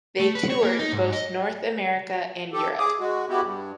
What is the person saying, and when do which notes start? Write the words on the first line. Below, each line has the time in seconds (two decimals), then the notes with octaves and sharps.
They toured both North America and Europe.
0.20 A3
0.35 B4
0.50 C#5
0.63 A#3
0.79 D#4
0.92 G#2
1.13 D#5
2.53 G4 A4
2.79 G#4 D6 D#6
3.00 G#3 F#4
3.29 G#3 B3 E4 F#4 G4
3.41 G2